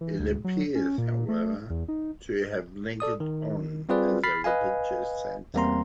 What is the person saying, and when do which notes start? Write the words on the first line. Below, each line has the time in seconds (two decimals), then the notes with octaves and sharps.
It appears, however, to have lingered on as a religious centre.
0.01 E3
0.19 D2
0.44 F#3
0.75 C#4
0.98 A#2
1.12 A#2
1.29 A3
1.70 E2
1.88 D#4
3.00 A4 D5 D#6
3.20 D#3
3.89 G3 C4 F4 G#4 B4 D5
4.24 B5 F6 A6 B6 C7
4.44 B4 D#5 F5 G#5
5.54 E2 G3 A#3 C4 A#5 C6